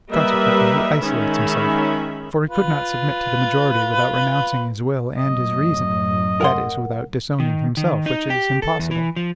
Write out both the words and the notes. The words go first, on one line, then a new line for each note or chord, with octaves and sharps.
Consequently, he isolates himself; for he could not submit to the majority without renouncing his will and his reason,--that is, without disowning himself, which is impossible.
G3 A#3 A#4 B4 D#5 E5
D#3 G#3 C#4 E5 B5
F4 B4
F#2 A2 F#3 D#5
A#4 F#5 C6
D#3
D#3
D#4
G4
A4
E2
E3
F3